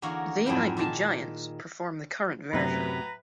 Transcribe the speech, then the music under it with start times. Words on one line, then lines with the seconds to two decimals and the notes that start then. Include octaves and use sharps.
They Might Be Giants perform the current version.
0.02 E2 D3 A#3 F#4 A#4 C#5
0.46 F2 G#2 F3 F#3 E4 G5
0.77 A#2 D#3 G#4 A5
2.53 F#2 A2 C3 F#3 B4 A#5